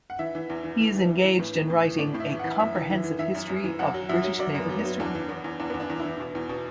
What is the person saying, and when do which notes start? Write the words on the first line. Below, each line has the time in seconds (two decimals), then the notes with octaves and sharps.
He is engaged in writing a comprehensive history of British naval history.
0.10 F#5
0.19 E3 E5
0.35 E3
0.50 E2
0.64 E3
0.80 E3
0.95 E3
1.09 E3
1.24 E3
1.39 A2 B4
1.55 E3
1.70 A2
1.85 E3
1.99 A2 D5
2.14 A2
2.20 E5
2.29 E3
2.39 E3 F#5
2.59 F#2 E5
2.75 E3
2.90 E3
3.04 E3
3.19 E3 E5
3.35 F#2
3.49 F#2
3.64 E3
3.79 F#2 F#5
3.94 F#3
4.09 F#2 E5
4.24 F#3
4.39 F#3 D5
4.55 F#2 B3
4.69 F#3
4.79 B3
4.85 F#3
5.00 E2 D4
5.15 E3
5.29 E2 B3
5.44 E2
5.60 E2 D4
5.70 B3
5.74 E2
5.80 D4
5.90 E2
6.00 E4
6.05 E3
6.20 B2
6.35 E2
6.49 B2